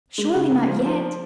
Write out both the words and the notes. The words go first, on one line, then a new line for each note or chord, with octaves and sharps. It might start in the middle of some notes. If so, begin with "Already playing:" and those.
Surely not yet!
G#3
C#3
C#3
F3
F3